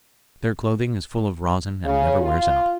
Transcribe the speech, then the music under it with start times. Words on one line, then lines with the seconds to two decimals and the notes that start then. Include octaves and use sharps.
Their clothing is full of rosin and never wears out.
1.84 C#3
2.21 F4